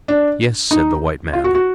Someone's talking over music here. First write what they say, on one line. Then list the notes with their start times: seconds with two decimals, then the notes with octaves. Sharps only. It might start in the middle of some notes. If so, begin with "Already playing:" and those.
"Yes," said the white man.
0.08 D4
0.71 D#4
1.33 F4
1.44 F#4
1.55 F#4